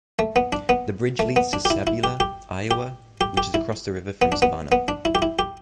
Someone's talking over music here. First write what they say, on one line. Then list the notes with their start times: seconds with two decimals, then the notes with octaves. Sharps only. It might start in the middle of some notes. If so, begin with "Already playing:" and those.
The bridge leads to Sabula, Iowa, which is across the river from Savanna.
0.19 A3
0.36 B3
0.53 D4
0.69 B3
1.19 A3
1.36 B3
1.53 D4
1.65 G4
1.70 E4
1.87 E4
2.04 G4
2.20 G4
2.71 G4
3.21 G4
3.37 G4
3.54 E4
4.22 B3
4.32 D4
4.42 B3
4.72 B3
4.88 D4
5.05 E4
5.15 G4
5.22 E4
5.39 G4